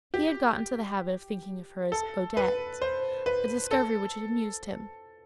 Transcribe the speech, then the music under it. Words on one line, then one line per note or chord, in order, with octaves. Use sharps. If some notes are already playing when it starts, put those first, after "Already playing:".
He had got into the habit of thinking of her as "Odette," a discovery which had amused him.
G4
A4
B4
C5
B4
A4